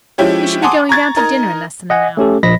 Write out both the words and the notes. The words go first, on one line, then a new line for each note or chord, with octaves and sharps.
"We shall be going down to dinner in less than an hour."
F3 G#3 C#4 E4 G4 C#5
F#5 G#5 A5 C6 D6 D#6
A#5 C#6 G#6 A6
D#4 A#4 D#5 A#5
D#5 F#5 G#5
A3 C#4 G4 A4
A#1 F3 D#5 B5 A#6 B6